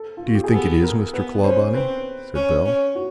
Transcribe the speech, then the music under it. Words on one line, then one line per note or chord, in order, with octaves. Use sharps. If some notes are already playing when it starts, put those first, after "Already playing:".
"Do you think it is, Mr. Clawbonny?" said Bell.
Already playing: A4
F4
F#4
G4
G#4
B3 A4
A#4
B3 B4
C#4 C5
C4 B4
C#4
C#4
F#4